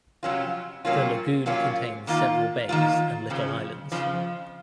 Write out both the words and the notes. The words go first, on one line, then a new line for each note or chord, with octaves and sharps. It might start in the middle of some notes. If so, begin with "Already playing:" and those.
The lagoon contains several bays and little islands.
F2 C3 F#3 C#4 F4
C3 F#3 A#3 C#4 F4
C3 F#3 A#3 C#4 F4
D#3 A#3 F4
D#3 A#3 F4
F2 C#3 F3
F2 C#3 F3